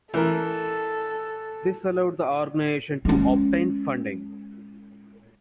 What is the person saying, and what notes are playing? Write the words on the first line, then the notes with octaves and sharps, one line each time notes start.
This allowed the organisation to obtain funding.
E3 A4 A#4
G#3 C#4